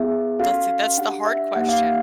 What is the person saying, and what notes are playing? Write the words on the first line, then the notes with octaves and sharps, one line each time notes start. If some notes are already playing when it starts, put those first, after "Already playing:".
That's th that's the hard question.
Already playing: B3 E4 G#4 E5
C#4 F#4 A4 F5
D4 G4 F#5
E5
A#3 D#4 G4 F#5
F5
E5